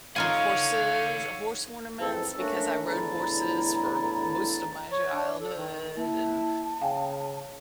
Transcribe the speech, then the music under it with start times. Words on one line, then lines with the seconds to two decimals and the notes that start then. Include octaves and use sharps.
horses horse ornaments because I rode horses for most of my childhood and
0.16 D#4 F4 A4 C#5 F5 F#5 G#5
2.00 F2 G#2 E3 C4 A4 A5
2.39 A3 A#3 C#4 D4 F#4 E5
2.86 E2 A2 D3 E4 A5 A#5
4.92 C#5
5.13 D4
5.41 A4
5.56 D#3
5.97 A#3 E4 A5
6.82 C#3 F5 G5 G#5